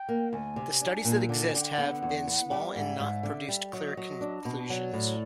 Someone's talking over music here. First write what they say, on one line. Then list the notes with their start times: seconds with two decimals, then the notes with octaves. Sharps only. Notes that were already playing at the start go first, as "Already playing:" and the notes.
The studies that exist have been small and not produced clear conclusions.
Already playing: G5
0.09 A#3
0.33 D2 G#5
0.56 C3
0.81 D4
1.05 A#2
1.29 D3 A5
1.46 G#5
1.54 D3 F#5
1.62 G5
1.78 B3 F#5
2.03 E2
2.27 B3
2.51 G3
2.76 G#2 E5
3.00 G#2
3.23 D3
3.48 G3
3.73 F#3 D#5
3.97 F#3
4.21 D4
4.45 B2
4.69 F#3 D5
4.93 A2